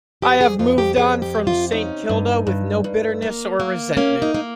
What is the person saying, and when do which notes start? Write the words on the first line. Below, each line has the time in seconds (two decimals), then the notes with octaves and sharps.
I have moved on from Saint Kilda with no bitterness or resentment.
0.22 F2 G4
0.41 G#4
0.59 F2 F4
0.78 G4
0.97 F2 G#4
1.22 G4
1.35 C3
1.47 F4
1.72 C#4 D#4
2.09 G2
2.47 G2
2.84 G2
3.22 A#3
3.60 A#3
3.97 A#3 C#4
4.22 D#4
4.34 A#3